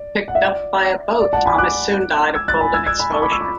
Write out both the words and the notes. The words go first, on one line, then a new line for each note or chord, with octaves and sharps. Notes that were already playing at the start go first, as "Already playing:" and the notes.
Picked up by a boat, Thomas soon died of cold and exposure.
Already playing: D5
F#5
E5
D5
D5
F#5 A5
G#5 B5
D6 F#6
E6 G#6
F#6 A6
G#5 B5
E6 G#6
E6 G#6
G#5 B5
A5 C#6
B5 D6
C#6 E6
B5 D6